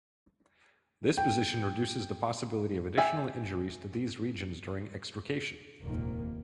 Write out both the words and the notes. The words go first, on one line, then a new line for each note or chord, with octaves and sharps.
This position reduces the possibility of additional injuries to these regions during extrication.
G5
D5 E5 G5 G#5
F1 A#1 D#2 G#2 D#3 A#3